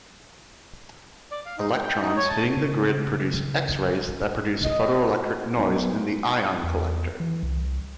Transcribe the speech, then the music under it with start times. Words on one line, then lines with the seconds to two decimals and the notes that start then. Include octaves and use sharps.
Electrons hitting the grid produce X-rays that produce photoelectric noise in the ion collector.
1.31 D5
1.46 F5
1.58 D#4
1.71 G5
1.84 G5
2.01 D#4
2.16 C#5
2.29 A5
2.57 C#3 C4
4.64 D#5
5.09 F#4
5.56 B1
6.63 E2
7.20 E3
7.43 C2